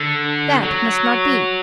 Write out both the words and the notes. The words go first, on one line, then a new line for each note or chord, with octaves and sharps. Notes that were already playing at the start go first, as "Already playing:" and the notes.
That must not be.
Already playing: D3
F#3